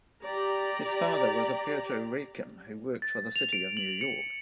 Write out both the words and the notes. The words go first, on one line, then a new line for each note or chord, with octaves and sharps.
His father was a Puerto Rican who worked for the City of New York.
G4 D5 A#5
A6
F7
D7
F#7
C#7